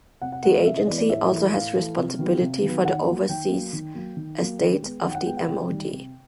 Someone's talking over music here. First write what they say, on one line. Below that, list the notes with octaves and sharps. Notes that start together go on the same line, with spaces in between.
The agency also has responsibility for the overseas estates of the MoD.
C3 F#5
F#5
E3 G#3 B3 F#5
F5
C3 E5
D#5
E3 G#3 B3 D5
D5
A2 E5
E3 A3
A2 F5
E3 A3
C3
D#3 F#3 B3
C3
D#3 F#3 B3
D#3 F#5
F#3 A#3
D#3 G5
F#3 A#3
D#3
F#3 A#3
D#3
F#3 A#3
D#3
G#3 B3
D#3 F#5
G5
F#5
G#3 B3 G5
F#5
C3 G5
D#3 G3
C3